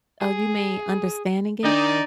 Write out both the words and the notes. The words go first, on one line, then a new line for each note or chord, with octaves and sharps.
Oh, you mean understanding it?
G#4
D#3 D4 D#4 D5 G7